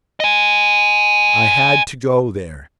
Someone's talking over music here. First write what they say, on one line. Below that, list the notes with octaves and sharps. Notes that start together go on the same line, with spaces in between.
I had to go there.
D#5 G#5